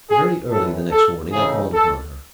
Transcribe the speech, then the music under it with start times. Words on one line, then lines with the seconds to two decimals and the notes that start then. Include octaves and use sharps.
Very early the next morning I called upon her.
0.10 G#4
0.51 F#2 E3 B3 A4
0.92 A4
1.33 C#3 E3 A3 D#4 G#4
1.74 A4